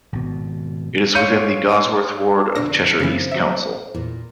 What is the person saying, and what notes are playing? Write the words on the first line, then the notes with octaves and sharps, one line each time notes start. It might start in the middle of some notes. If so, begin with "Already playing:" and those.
It is within the Gawsworth Ward of Cheshire East Council.
G#1 B2
G#2 C#5 F5 G6 C#7 D#7
F2 B2 D3 D4 A#6
F#2 C#3 E3 F3 A#3
F#3 E5
E2 A#2